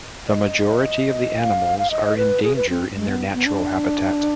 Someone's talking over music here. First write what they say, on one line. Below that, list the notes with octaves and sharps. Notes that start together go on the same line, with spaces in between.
The majority of the animals are in danger in their natural habitat.
D5
D#5
F5
F5
D#5
B4
G#4
B4
C4
G#3
B3
B3
D4